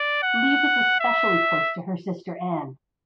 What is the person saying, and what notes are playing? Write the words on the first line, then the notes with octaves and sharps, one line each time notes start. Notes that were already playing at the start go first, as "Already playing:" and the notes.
Lee was especially close to her sister Anne.
Already playing: D5
F#5
E5